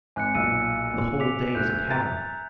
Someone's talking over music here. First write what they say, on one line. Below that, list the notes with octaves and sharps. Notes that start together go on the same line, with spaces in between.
The whole day is a cavern.
G#1 G#5 F#6 C#7
B1 A#2 E6 C#7 D#7
A#2
D6 B6 F7
D2 F#6 G6
E5 A#5 A6